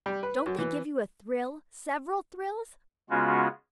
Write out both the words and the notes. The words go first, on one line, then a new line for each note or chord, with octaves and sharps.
Don't they give you a thrill--several thrills?
G3
B4
F#2
E3
C#3 G#3 B3 C#4 F4 F#4